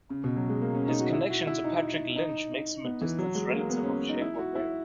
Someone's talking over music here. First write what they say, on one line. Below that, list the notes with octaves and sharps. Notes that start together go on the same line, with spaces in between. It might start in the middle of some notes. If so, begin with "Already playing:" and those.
His connection to Patrick Lynch makes him a distant relative of Che Guevara.
C#3
B2
F#3
G#3
A#3
C#4
D#4
F#4
E4
F#4
E4
D#4
D#4
B3
E3
F#3
G#3
A#3
B3
C#4
D#4
E4
F#4
E4